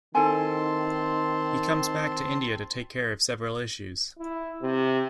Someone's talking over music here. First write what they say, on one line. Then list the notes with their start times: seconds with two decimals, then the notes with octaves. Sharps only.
He comes back to India to take care of several issues.
0.15 D#3 C4 E4 A4 G#5 A5 C6
4.19 E4
4.62 C3